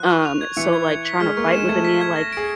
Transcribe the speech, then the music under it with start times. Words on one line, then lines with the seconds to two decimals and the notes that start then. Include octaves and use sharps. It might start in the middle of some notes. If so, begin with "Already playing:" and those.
um, so, like, tryna to fight with a man, like,
Already playing: F3 F4 F#6
0.09 C#6
0.25 F7
0.41 G#6
0.57 E3 E4 C#7
0.73 G#6
0.88 G#6
1.05 B6
1.20 G#3 G#4 F6
1.37 A#3 A#4 C#6
1.52 G#3 G#4 E7
1.69 A3 A4 G#6
1.85 B6
2.01 G#6
2.16 A#6
2.33 G#4 D7